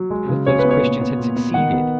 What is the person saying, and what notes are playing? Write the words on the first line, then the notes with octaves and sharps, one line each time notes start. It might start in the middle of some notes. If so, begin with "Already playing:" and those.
What if those Christians had succeeded!...
Already playing: F#3
G#3
C#3
C#3 C#5
B4
B3
C#5
A#2
B3
A#2
B3
D#3 F#5
B3